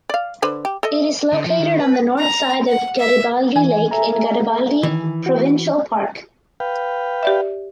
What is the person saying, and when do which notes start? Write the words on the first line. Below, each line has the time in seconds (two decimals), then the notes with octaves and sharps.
It is located on the north side of Garibaldi Lake in Garibaldi Provincial Park.
0.09 D5 F5
0.42 D3 B4 C5
0.65 G4
0.83 A4 D#5 E5
1.33 D3
1.46 F3
1.59 D#3
1.80 B4
2.19 A#5
2.68 F#5
2.98 E5
3.56 E3 G#5
3.91 A4 E5 A#5
4.83 D#3 E3
5.26 F#4
6.60 B4 F5 G5
7.23 G4 D5 E5